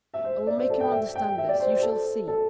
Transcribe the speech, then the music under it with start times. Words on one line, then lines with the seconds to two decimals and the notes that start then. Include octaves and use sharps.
I will make him understand this, you shall see.
0.14 E5
0.24 C5
0.47 D5
0.58 C5
0.70 A4
0.81 G5
0.92 E5
1.15 G5
1.38 E5
1.49 D5
1.60 C5
1.71 C5
1.82 A4
2.28 A4